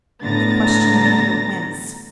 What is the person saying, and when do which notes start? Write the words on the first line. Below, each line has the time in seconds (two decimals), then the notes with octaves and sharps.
The question made her wince.
0.22 A2 D3 B3 A#5 A6 A#6